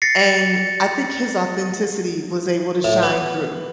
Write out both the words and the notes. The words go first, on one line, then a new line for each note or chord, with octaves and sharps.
and I think his authenticity was able to shine through.
A6 A#6 C7 C#7
A2
B3